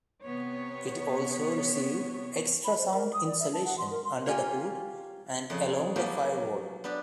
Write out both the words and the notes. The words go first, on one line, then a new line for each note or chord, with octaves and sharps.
It also received extra sound insulation under the hood and along the firewall.
C3 B3 C#5
B5
C5
A#4
D#6
D5
E5
A5
F#5
C6
A#4
C6
A#3 C#4 F4 G4 G#5
F2 C#3 G#4
F3 F#3 A#3 B3 C#4 G4
B3 D4 G4